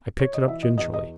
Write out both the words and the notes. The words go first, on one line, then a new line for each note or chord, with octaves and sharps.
I picked it up gingerly.
C#5
D#5
E3 E5
D#5
E2 D#5
D#5